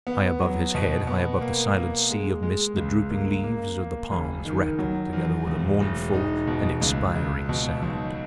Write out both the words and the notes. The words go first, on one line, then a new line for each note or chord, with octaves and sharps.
High above his head, high above the silent sea of mist the drooping leaves of the palms rattled together with a mournful and expiring sound.
B3
F#3
B2
B3
A#3
A#3
G#3
G#3
C#2
A#3
A#3
A#3
F#1
D#3
F#3
E2
E1
E1
D#4
B2
C#2
C#2
B2
B1